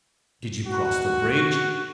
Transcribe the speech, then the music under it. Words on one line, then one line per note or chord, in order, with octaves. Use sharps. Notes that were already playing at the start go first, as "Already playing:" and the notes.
"Did you cross the bridge?"
F#4